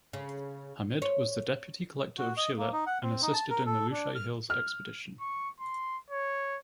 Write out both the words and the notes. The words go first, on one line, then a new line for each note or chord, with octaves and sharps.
Hamid was the Deputy Collector of Sylhet and assisted in the Lushai Hills expedition.
C#3
C#5
F#4
D#5
A#3
D#4
F#5
C4
D#4
A5
A#4
A4
D4
F6
F6
C#6
C6
C#5